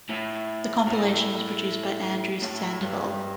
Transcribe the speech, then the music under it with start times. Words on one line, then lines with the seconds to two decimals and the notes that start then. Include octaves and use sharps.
The compilation was produced by Andrew Sandoval.
0.10 A2
0.87 A2
2.42 A2
2.81 G2